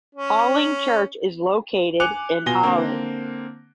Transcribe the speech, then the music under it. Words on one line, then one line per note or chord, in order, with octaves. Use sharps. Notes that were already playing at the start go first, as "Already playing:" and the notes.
Halling Church is located in Halling.
C#4
G#5 D6 F#6 C#7 F7
B2 F4 G#5 A#6 G7
D3 A#3 C4